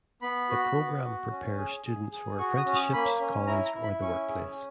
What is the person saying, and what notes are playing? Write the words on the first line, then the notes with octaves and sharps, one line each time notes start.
The program prepares students for apprenticeships, college or the workplace.
B3 B5
F#4
B3
F#4
C#4
G#4
G#4
G#4
F#4 C#6
D#6
C#4
D#6
A#3 B5
C#4
E4 A#5
A#5
E4
B5
C#4 C#6
G#4